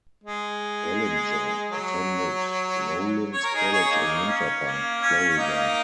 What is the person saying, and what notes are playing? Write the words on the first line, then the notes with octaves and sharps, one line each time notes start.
Bellinger attended Rollins College in Winter Park, Florida.
G#3
F#3
C#5
A#4
D#4 G#4
G#4 C#5
A#3 D#4
C#4
A#3
C#4
C#4
A#3 D#4